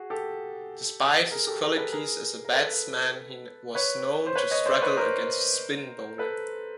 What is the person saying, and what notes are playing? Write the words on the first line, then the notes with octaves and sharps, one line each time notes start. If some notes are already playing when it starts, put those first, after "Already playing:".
Despite his qualities as a batsman, he was known to struggle against spin bowling.
Already playing: F#4 G#4
G4 A4
G#4 A#4
G4 A4
G#4 A#4
A4 B4
G#4 A#4
A#4
A4 B4
B4 C#5
C5
B4 C#5
C#5 D#5
C5 D5
B4 C#5
A#4 C5
A4 B4